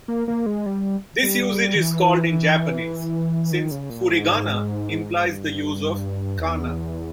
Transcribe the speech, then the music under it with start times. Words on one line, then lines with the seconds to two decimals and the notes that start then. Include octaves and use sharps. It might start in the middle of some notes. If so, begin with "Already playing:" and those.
This usage is called in Japanese, since "furigana implies the use of kana".
0.08 A#3
0.28 A#3
0.46 G#3
0.66 G3
1.23 G3
1.75 D#3
1.81 E3
3.52 D#3
3.71 C#3
3.90 A#2
4.10 G#2
5.25 G2
6.39 E2